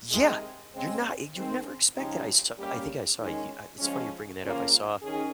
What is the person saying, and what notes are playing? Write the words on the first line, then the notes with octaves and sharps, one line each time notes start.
yeah, you're not eg you'd never expect that, I saw I think I saw a You Uh, it's funny you're bringing that up, I saw
C3 D#3 G#3
C#3 G#3 C4
D#3 G#3 C4
C#3 F3 G#3 D#4 G4
G3 A#3 C#4 G4
D#3 G#3 C#4
F3 G#3 C#4
C#3 F3 A#3 C#4 F4
D#3 C#4 G#4